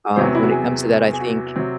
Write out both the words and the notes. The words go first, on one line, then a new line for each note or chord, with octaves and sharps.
um, when it comes to that, I think
E2 C3 F#3 C5
F#4
E4
F#4
G#4
G#4
F#4
C3 F#3 C4